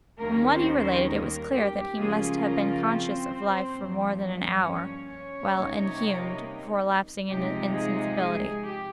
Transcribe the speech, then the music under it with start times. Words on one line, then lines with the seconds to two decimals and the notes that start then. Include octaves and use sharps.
From what he related, it was clear that he must have been conscious of life for more than an hour, while inhumed, before lapsing into insensibility.
0.19 D#2 D#3 G3 A#3 C#4 A#4
0.49 C4 C5
0.78 C4 C5
1.08 A#3 A#4
1.52 G4
1.97 C#3 F3 G#3 A#3 C#4 F4 G#4
2.41 A#3 A#4
2.85 C4 C5
3.75 G2 F3 A#3
4.63 C#4 C#5
5.07 C#4 C#5
5.52 C3 G3 A#3 D#4
7.29 C3 F3 G#3 D#4 G4
7.73 G#3 G#4
8.17 G#3 G#4
8.62 G4